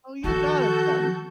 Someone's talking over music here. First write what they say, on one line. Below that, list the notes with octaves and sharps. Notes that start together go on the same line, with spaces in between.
Oh, you got it then.
D#3 F3 F#4 A4 G6